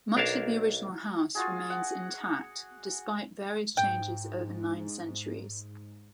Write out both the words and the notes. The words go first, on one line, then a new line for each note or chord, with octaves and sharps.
Much of the original house remains intact despite various changes over nine centuries.
B1 D4 A#4 C#5 F5 A5
F4 F#4 G#4
F#5
G#2 G5